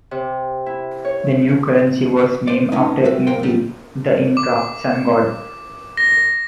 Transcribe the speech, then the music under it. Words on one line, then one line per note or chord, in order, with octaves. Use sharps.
The new currency was named after Inti, the Inca sun god.
C3
E4
C#5
C5 D5
A3 B3 C#4 D#4
G3 G#3 F#4 E5
A#3 A#4 C5 G5 C6
F#3 G3
D6
A#6